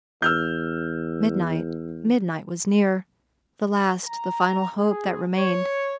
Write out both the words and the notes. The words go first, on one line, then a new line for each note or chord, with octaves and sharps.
Midnight--midnight was near, the last, the final hope that remained.
E2 E6 F6 G6
A#5
G#4
C#5